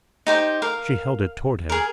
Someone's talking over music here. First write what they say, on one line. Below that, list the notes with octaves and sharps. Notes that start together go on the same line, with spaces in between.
She held it toward him.
D#4 G4 C5
A#4 F5
G#4 A#4